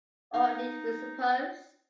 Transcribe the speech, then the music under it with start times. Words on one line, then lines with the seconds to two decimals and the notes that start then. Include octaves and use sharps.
Or need we suppose?
0.34 D#4 F5